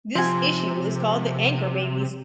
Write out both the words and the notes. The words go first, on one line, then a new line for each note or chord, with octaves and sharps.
This issue is called the 'anchor babies.
C3 F3 C4 G#5